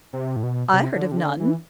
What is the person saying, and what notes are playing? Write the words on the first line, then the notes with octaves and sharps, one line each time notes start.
"I heard of none."
C3
A2
B2
C3
D3
C3
D3
E3